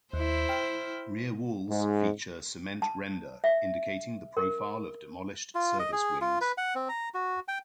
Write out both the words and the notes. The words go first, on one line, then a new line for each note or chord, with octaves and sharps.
Rear walls feature cement render indicating the profile of demolished service wings.
D#2 E4 C5
G5 F6
G#2
A5
E5
A#4
F4
D#5
G#4
F4
B4
F#5
C4
A#5
F#4
G5